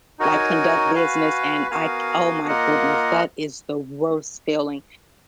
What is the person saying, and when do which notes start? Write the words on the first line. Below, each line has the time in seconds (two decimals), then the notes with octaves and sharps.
like, conduct business and I oh my goodness, that is the worst feeling.
0.19 D#4 F#4 A#4 C#5 G#5
0.95 F#4 B4 F5 G#5
1.71 B3 F#4 A#4 F5 G#5
2.48 A#3 F4 A#4 D#5 F#5